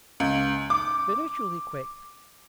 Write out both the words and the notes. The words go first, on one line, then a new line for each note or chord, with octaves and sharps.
Spiritually quick.
C#2
D6